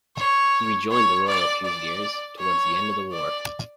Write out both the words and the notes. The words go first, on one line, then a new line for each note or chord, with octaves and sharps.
He rejoined the Royal Fusiliers towards the end of the war.
C#5
C#5
D5
D5
C#5
D5